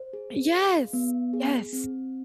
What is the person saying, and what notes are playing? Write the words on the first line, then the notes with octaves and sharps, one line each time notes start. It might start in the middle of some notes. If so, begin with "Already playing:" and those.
Yes. Yes.
Already playing: C5
G#4
F5
B3
G#4
C4